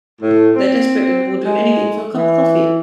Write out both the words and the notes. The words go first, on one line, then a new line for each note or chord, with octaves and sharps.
They're desperate and will do anything for a cup of coffee.
A2
C4
G#3
E3